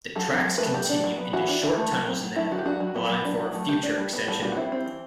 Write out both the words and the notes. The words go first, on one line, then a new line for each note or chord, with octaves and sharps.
The tracks continue into short tunnels in the hill, allowing for a future extension.
F#3 A4
C4
F#3
A3 B4
A4
F#3 G4
D4
F#3
B3
E3 F#4
D4
E3
A3
F#3
C4
F#3
A3 E4
F#3 F#4
G4
D4 F#4
F#3
B3
F#3
D4
F#3
A3
G3 G4
D4
G3
B3
G3 A4
G3 F#4
F#4
C4 E4
C4
E3